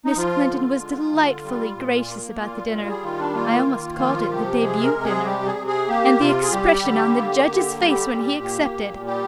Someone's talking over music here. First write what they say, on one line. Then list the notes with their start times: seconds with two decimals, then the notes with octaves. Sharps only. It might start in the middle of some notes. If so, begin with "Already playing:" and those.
Miss Clinton was delightfully gracious about the dinner--I almost called it the debut dinner--and the expression on the judge's face when he accepted!
0.05 D#4
0.17 F3 F4
0.50 D3
0.81 G#3
1.13 D3
1.44 G3
1.76 A#2
2.08 A#3
2.39 A#2 F4
2.71 G3 F4
2.87 G#4
3.03 D#3 F4
3.18 D4
3.34 A#3 F4
3.66 D#3
3.99 F3 F4
4.30 C3 G4
4.61 G#3 G#4
4.82 A#4
4.93 C3
5.04 G#4
5.25 G3 G4
5.47 G#4
5.57 C3
5.67 G#4
5.88 A#3 G4
6.20 C3 F4
6.43 G#4
6.52 G3 G4
6.83 D3
7.16 A#3
7.47 D3
7.79 G3 G4
8.10 A#2
8.43 A#3
8.74 A#2
9.06 G3 G4